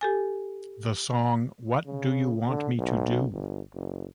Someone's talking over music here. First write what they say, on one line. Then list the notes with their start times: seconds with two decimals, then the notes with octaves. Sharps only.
The song What Do You Want Me to Do?
0.01 G4 A4 G#5
1.86 C#3
2.48 D3
2.78 B1
3.32 G1
3.75 F#1